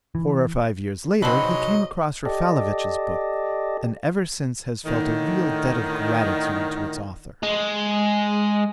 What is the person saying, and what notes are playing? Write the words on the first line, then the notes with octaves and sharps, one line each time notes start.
Four or five years, later he came across Raffalovich's book, and ever since has felt a real debt of gratitude to its author.
E3
G#2 C3 F#3 C4 D4 B4 D#5
G4 A4 D5 D#5
A2 D3 D#3
G#3